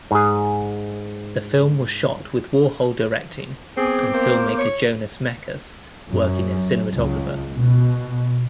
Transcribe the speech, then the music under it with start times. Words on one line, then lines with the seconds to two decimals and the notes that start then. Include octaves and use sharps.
The film was shot with Warhol directing and filmmaker Jonas Mekas working as cinematographer.
0.11 G#2 G#4
3.77 B3 C4 G#4 D6
4.13 A#3 C5
4.58 C#5
6.09 F#2
6.95 C#2
7.54 B2